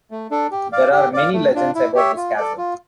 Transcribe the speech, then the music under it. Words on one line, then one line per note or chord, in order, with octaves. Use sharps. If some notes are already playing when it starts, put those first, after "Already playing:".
There are many legends about this castle.
A3
D4 A4
G4
D5 F5
G4
D5 F5
A3
D4 F4
E4
G4 C#5 E5
F4
A4 D5
F4